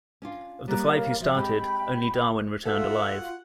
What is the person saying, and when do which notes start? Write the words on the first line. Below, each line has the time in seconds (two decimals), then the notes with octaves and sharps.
Of the five who started, only Darwin returned alive.
0.22 C#4 D4 F4
0.68 G3 A#3 C#5 A#5 F#6
0.85 A#4 C#5 F5
1.20 F3 F#4 E5
1.35 G#3 C4 G4 G5 B5
2.65 F4 F#4 A4 E5 F#5